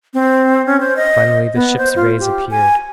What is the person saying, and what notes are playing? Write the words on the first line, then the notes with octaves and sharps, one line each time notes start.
Finally the ship's rays appeared.
C4
C#4
C5
D#5
B3
C5
F4
G4
G#5